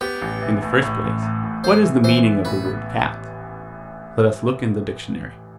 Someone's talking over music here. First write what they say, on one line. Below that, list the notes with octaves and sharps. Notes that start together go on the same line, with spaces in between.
In the first place, what is the meaning of the word "Cat." Let us look in the dictionary.
B3 G4
A1
E3
A2
A2
A1
A2
A2
A2 C5
E3
E3 C5
B3
A1 B4
B3